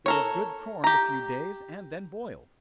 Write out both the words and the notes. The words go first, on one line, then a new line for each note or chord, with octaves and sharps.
It is good corned a few days, and then boiled.
A4 A#4 C#5
G4 A#5